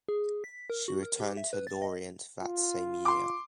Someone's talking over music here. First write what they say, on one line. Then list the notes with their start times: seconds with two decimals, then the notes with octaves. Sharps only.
She returned to Lorient that same year.
0.09 G#4
0.44 B6
0.70 A#4
0.88 F#4
1.03 A#4
1.20 G4
1.37 E5
1.53 B4
1.67 A6
1.82 D#5
2.43 F4
3.05 C6 D6